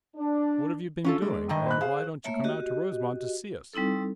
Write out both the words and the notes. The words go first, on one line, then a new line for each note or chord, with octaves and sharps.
What have you been doing, and why don't you come out to Rosemont to see us?
D4
C#4 F4 A4
G#3 D5
G2 D#3 D#5 G5
C5 B5 F#6
G#4 C5 F5
A3 A#3 C#5 E5
F#4 G4 D#5
G3 C4 D#4 E4 A4